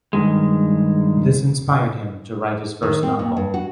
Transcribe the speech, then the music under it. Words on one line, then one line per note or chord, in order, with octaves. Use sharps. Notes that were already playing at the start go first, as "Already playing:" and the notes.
This inspired him to write his first novel.
G2 D#3 G#3
D#3
C4
A#2
G2
F#4